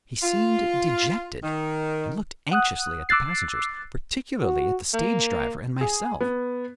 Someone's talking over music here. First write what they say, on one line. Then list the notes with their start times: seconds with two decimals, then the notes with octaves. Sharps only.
He seemed dejected, and looked anxiously at the passengers, particularly at the stage-driver and myself.
0.23 F4
1.43 D#3
2.51 F#5 D#6 F#6
3.09 D6 E6 F#6 A6 C7
4.43 F#4
4.94 A#3
5.81 G#4
6.21 B3